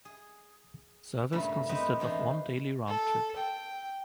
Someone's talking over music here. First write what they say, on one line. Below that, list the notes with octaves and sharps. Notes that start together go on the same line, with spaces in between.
Service consisted of one daily round trip.
G#4
G2 A#2 C#3 G3 A3 A#3
B3 C4 D#4 B4 F#5
E2 D#3 A3 D4 F5
A4
G5